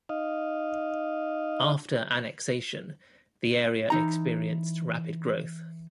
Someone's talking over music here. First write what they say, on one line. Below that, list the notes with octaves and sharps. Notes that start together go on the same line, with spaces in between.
After annexation, the area experienced rapid growth.
D#4 D#5 F5
E3 D#4 A#5